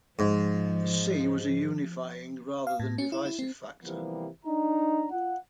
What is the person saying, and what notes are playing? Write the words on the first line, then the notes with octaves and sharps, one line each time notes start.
The sea was a unifying rather than divisive factor.
G#2 F3
F5
A2
C#4
E4
E4
C4
C3 E3 F3 G3 A#3 B3
D4 D#4 A#5
F4 F#5